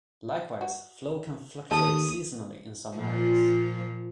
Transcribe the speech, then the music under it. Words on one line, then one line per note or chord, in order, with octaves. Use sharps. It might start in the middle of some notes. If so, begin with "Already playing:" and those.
Likewise, flow can fluctuate seasonally in some areas.
F#4
D#2 D#4 A4 A5 D#6
A#2 F3